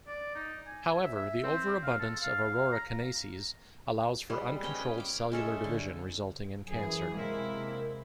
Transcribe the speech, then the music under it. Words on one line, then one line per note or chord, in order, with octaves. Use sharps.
However, the overabundance of Aurora kinases allows for uncontrolled cellular division, resulting in cancer.
D5
D#4
G#5
E5
E5
C4
F5
A4
F5
F5
A#5
G3 G#3 B4
C#4 B4 D#5 G5
G5
F5 D6
G#3 C#4 A4 E5
D3
F#2 E3 G#4
C3 G#3 A#3 C4 E4 A#4